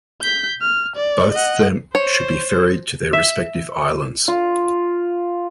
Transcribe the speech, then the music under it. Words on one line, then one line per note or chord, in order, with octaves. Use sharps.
Both of them should be ferried to their respective islands.
G6 B6
F6
D5
D#5 F#5
C5 C#5
E5
F4